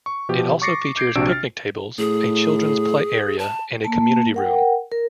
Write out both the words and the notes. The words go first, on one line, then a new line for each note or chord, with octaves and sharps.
It also features picnic tables, a children's play area and a community room.
C#6
B2 F3 G4
C#6 D6 A6 A#6 C7 C#7
D6 G6 G#6 C7 D7
A#1 C3 D4 F#4 E6 D7
F6 A6
A2 G#4
A5
A#3 A5
A#4 F#5 G5
A#4